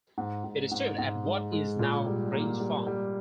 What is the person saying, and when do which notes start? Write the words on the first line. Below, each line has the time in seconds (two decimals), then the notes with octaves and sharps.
It stood at what is now Grange Farm.
0.18 G#2
0.44 G#2
0.72 G#2
0.98 G#2
1.26 G#3
1.52 G#3
1.79 A#2
2.06 G3
2.33 A#3
2.60 G3
2.87 G3